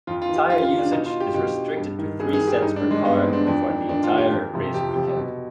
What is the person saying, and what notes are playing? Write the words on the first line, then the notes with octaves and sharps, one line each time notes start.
Tyre usage is restricted to three sets per car for the entire race weekend.
F2 F4
F4
D#3
G4
F2 F4
F4
D#3
D4
B2 D#4
F4
G4
B2 G4
G2
D#3
G2 G#4
G#4
D#3
G4
G2 D#4
D4
D#3
G#3
G2 B3
C4
D#3
D4
F2 D4
D#3
F2 D4
F4
D#3
G4
F2
C3 F3
F2 G4
C3 F3
B2